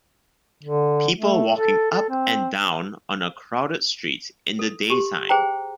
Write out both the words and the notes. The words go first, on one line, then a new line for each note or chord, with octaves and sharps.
People walking up and down on a crowded street in the daytime.
D3
A3
A4
A4
C4
A4
G4 C6
G#4 C5 G5 A#5